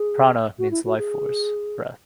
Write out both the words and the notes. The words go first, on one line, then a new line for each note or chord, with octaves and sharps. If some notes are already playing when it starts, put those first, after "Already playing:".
"Prana" means "life force, breath".
Already playing: G#4
F#4
E4
F#4
G#4